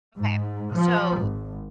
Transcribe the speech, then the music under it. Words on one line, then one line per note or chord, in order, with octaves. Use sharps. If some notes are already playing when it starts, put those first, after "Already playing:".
okay. So,
G#2
F3
G#1